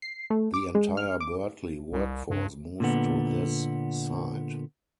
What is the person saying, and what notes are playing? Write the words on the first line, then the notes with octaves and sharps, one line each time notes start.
The entire Birtley workforce moved to this site.
C7
A3
D6
G#3
F6
D6
C2
G2
A#2 D3 B3